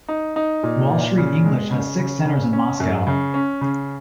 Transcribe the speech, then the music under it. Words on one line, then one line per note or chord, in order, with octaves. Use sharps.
Wall Street English has six centers in Moscow.
D#4
D#4
A#2
A#2
C#3
G#3
C#3
C#3
C#3
C#4
F#2
C#3
C#4
C#3